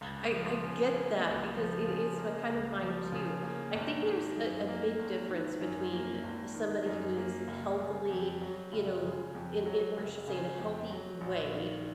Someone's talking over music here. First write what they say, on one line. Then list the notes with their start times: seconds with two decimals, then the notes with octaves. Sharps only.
I I get that because it is my kind of mine too. I think there's a a big difference between somebody who is healthily, you know, in in or I should say in a healthy way
0.01 C#2
0.32 F3
0.63 C#3
0.94 A#3
1.25 C#2
1.56 F3
1.88 C#3
2.18 A#3
2.50 C#2
2.81 F3
3.12 C#3
3.43 A#3
3.75 G#1
4.06 D#3
4.37 F#2
4.68 A#3
4.99 G#1
5.30 D#3
5.61 F#2
5.92 A#3
6.23 G#1
6.54 D#3
6.86 F#2
7.17 A#3
7.48 F#1
7.79 C#3
8.10 F2
8.42 F#3
8.73 F#1
9.04 C#3
9.35 F2
9.66 F#3
9.97 F#1
10.28 C#3
10.60 F2
10.91 F#3
11.21 A#1
11.53 D#3